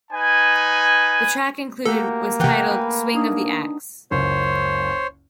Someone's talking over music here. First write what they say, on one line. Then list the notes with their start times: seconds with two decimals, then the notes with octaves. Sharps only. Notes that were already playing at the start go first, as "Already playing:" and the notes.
The track included was titled Swing of the Axe.
0.12 D#4 B4 G#5
1.86 A3 A#3 F#4 G4 A4
2.40 C3 E3 F#5 G5 F#6
2.71 B4 G#5 B5
3.14 D4 D#4 D#6
4.11 F#1 C#2 C5 C#5